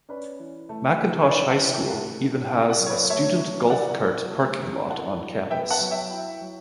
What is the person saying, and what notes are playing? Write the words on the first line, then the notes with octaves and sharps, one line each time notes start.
McIntosh High School even has a student golf cart parking lot on campus.
C#4 B4 D5
E3
A3
E4
C#5
C#4 B4 D5
F#5 A5
E3
E5 G5
A3 F#5 A5
E4
G5
E4 F#5 A5
D5 F#5
F#3
C#5
B4 D5
A3 C#5 E5
F#3
E4 D5 F#5
F#3
A3
F#3
E4 F#5 A5
F#3
B3 E5 G5
F#5 A5
F#3
E5 G5
E4
F#3